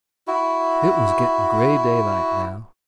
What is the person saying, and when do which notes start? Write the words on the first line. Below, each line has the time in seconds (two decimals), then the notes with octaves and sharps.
It was getting gray daylight now.
0.27 E4 F#4